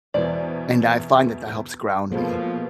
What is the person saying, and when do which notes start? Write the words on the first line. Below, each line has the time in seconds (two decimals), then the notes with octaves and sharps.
And I find that that helps ground me.
0.14 E2 B2 E3 C5 D5
2.12 B2 F3 G#3 A#3 A4 B4